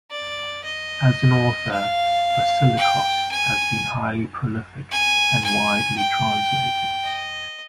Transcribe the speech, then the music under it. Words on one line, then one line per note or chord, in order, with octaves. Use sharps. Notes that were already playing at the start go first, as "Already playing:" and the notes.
As an author, Vassilikos has been highly prolific and widely-translated.
D5
D#5
F5
G5
G#5
G#5
G#5
G5
D#5